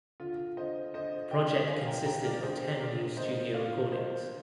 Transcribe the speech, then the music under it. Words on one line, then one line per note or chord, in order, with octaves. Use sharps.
The project consisted of ten new studio recordings.
D3 F4
D3 C5 D#5
D3 C5 D#5
D3 D#5 G5
D3 F5 G#5
G5 A#5
D4 G5 A#5
A#4 D5
D3 G#4 C5
D4 A#4 D5
A#3 C5 D#5
D4 D5 F5
D4 C5 D#5